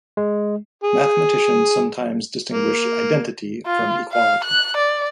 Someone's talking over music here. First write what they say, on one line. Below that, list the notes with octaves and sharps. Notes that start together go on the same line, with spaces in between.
Mathematicians sometimes distinguish identity from equality.
G#3
G#4
A#3
F4
F5
F#6
D5